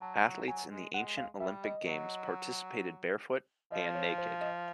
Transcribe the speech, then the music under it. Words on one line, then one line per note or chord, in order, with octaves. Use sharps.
Athletes in the Ancient Olympic Games participated barefoot - and naked.
F#3 A5
F#3
F#3 G#5
G#3
G#3 F#5
F5
G3 E5
D#5
F#3
F3 D#5
C#5
C5
D#5